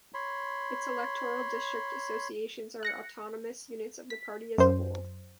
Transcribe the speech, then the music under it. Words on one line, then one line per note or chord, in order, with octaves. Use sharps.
Its Electoral District Associations are autonomous units of the party as a whole.
C#5 B5 C6
F#6 A#6 C#7
B6
F#2 C5